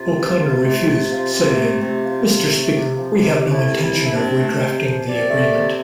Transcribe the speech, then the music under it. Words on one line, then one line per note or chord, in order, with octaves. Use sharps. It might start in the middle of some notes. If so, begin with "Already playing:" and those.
O'Connor refused saying Mr. Speaker, we have no intention of redrafting the agreement.
Already playing: C3 F4
F3
C3
A3
C3
F3
C3
A3
C3
F3
C3
A3
C3
F3
C3
A3
E4
C3
E4
F3
E4
C3 D4
A3
C3 C5
F3
C3 D5
A3
C3